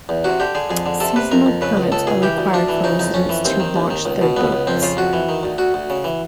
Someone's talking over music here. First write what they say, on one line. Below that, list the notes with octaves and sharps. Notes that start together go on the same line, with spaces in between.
Seasonal permits are required for residents to launch their boats.
E2
C3 F#4
D3 G4
D3 G#4
F2 G#4
D3
C3 A4
C3 B4
F2 A#4
F2
C#3 B4
C#2
C#2 A4
C#2 G#4
E3 G4
D2
D2 D4
E3
C#3 D#4
F2 D#4
F2 C#4
E3
D#2 C4
D#3
D#2
D#3
C#2
B2
C#2 B3
C#2
F2 C4
C#3 F4
F2 F#4
E3
D#3
D2
D2 F#4
D2
C#3
E3